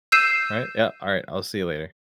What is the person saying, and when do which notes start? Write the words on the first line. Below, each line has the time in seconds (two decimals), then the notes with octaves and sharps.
Alright, yeah, alright, I'll see you later.
0.12 E6 G6 C7 D#7 E7